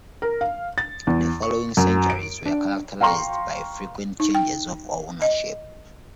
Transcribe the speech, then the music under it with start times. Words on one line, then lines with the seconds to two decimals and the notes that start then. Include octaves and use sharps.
The following centuries were characterized by frequent changes of ownership.
0.22 A#4
0.41 F5
0.78 A6
1.07 E2
1.42 C#6
1.77 F#2
2.10 D7
2.46 D4
3.01 F5 G5 A#5 C6 C#6
4.20 D#4
4.35 G5
5.22 D#5